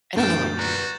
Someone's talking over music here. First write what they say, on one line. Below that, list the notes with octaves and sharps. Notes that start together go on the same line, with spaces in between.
I don't know,
F#2 A#2 A3 D4 G5 G6 A6 E7
F#4 B4 D5 A#5